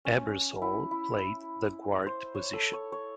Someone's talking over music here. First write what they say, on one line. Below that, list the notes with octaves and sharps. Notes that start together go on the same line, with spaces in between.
Ebersole played the guard position.
C#4
E4
E4
C5
C#5
A4
C#5
C#5